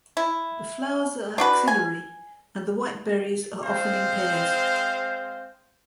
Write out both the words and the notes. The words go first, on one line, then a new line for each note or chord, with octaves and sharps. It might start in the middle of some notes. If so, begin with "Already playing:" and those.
The flowers are axillary and the white berries are often in pairs.
E4
D4 F#4 B4
G#5
G#3 C4 C5 F5